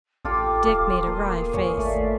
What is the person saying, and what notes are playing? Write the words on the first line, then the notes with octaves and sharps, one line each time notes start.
Dick made a wry face.
A1 F4 G4 A4 D6
D#1 F5
A#3 G#4 C6
D#2 C#5 G#5
G#1 A3 D5 E5 F5